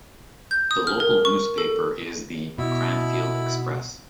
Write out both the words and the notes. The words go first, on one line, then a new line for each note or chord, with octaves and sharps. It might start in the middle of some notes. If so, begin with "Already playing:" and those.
The local newspaper is the "Cranfield Express".
G6
D#6
F6
A#4
C#6
A4
B2 E4 B5